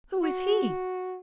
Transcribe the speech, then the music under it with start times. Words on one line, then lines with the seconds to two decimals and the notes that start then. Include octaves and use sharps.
'Who is he?
0.23 F#4